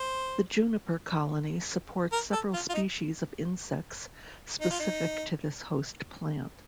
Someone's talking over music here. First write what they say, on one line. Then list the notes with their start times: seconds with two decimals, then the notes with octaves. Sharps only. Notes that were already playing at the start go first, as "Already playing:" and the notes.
The juniper colony supports several species of insects specific to this host plant.
Already playing: C5
2.12 A#4
2.32 A4
2.53 F4
2.69 F4
2.74 D#4
4.61 D#4
4.70 F4
4.80 D#4